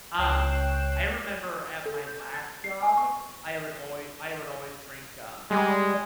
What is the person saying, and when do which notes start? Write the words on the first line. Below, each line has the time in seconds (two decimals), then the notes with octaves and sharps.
Um, I remember at my last job, I would alway I would always drink, um,
0.18 C#2 C#5 G5 F#6 C7 E7
1.86 A4
2.07 G6
2.34 A6
2.64 C7
2.82 G#5
2.97 C#6
5.51 G3 G#3